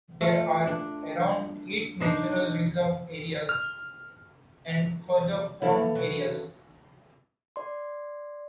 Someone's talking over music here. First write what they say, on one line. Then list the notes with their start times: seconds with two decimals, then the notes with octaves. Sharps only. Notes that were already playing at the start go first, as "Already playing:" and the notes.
There are around eight natural reserve areas, and further pond areas.
0.21 A3 F4
0.67 D4
2.00 D4 D#4 C5
3.49 F6
5.62 D#2 E3 E4 A4 F5
5.95 F#3
7.56 D5 C6